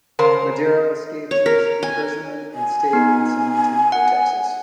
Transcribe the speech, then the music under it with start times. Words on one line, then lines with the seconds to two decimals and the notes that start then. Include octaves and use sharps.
Madero escaped his imprisonment and stayed in San Antonio, Texas.
0.19 C#3 A#4 C5
1.31 C#5
1.46 A#4
1.83 G#5
2.54 G#5
2.93 B3 D#4
3.92 F#5